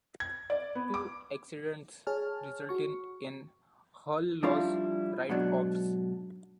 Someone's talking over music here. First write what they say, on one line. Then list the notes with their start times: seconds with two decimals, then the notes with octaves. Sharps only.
Two accidents resulted in hull loss write-offs.
0.20 G#6
0.50 D5
0.75 B3
0.94 D6
2.07 G#4 C#5 G#5 A5 F6
2.69 F#4 C#6
4.43 F3 G3 D4 E4 F4 F5
5.29 G#2 B2 F#3 D4